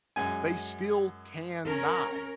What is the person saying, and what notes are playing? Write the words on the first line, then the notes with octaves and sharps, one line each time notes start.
they still can die.
F#2 G#3 G#5
C#4 A#4